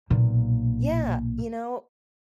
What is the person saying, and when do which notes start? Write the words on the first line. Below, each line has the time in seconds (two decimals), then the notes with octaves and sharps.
Yeah, you know
0.10 B1 A#2